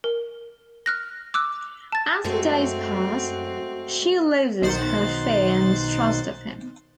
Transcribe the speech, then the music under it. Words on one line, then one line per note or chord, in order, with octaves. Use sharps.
As the days pass, she loses her fear and mistrust of him.
A#4
F6 F#6 A#6
D6 E6 F#6
A5 A6
F#2 G#3 A3 C4 F#4 A4
B1 D#3 C5 F#5 A6